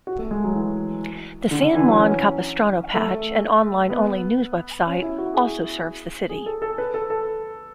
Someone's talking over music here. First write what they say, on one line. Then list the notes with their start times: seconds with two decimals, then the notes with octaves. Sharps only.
"The San Juan Capistrano Patch", an online only news website, also serves the city.
0.07 F#4
0.19 A3
0.31 G#3
0.44 F#3
0.55 E3
1.51 D3
1.62 D3
1.75 E3
1.86 F#3
1.99 C#4
2.94 A3
3.90 B3
4.87 C#4
5.02 E4
5.18 F#4
5.34 G#4
6.29 G#4
6.46 A4
6.62 A4
6.78 B4
6.94 A4
7.10 A4